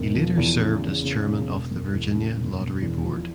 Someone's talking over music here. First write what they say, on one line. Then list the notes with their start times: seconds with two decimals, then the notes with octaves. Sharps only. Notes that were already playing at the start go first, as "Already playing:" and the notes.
He later served as chairman of the Virginia Lottery board.
Already playing: E1
0.14 F3
0.38 E2
0.59 C#3
0.81 E2
1.04 C#3
1.26 E1
1.49 E1
1.71 E1
1.93 E2
2.15 C#3
2.37 E1
2.60 E1
2.82 E2
3.05 F3